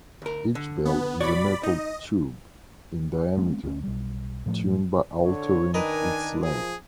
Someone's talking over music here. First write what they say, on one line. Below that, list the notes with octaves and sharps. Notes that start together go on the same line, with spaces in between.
Each bell is a metal tube, in diameter, tuned by altering its length.
D2 A#4
D3
B3
B1 F#4 C#5 D5 B5
D#4 D#5
G#3 A#3 C4 C#4
D2 G3 C#4
B1 G3
A2 F3 A3
D3 C#5
D#3 D4 A#4 B4 D#5 G#5
F3 G#4